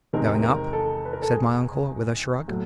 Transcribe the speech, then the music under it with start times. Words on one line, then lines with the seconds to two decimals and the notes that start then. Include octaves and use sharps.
"Going up!" said my uncle, with a shrug.
0.13 E2 C3 D#3 G#3 C4 A#4
0.43 A#4
0.73 A4
1.05 B4
1.13 A#4
1.22 A4
1.32 G#4
2.48 A2 F#3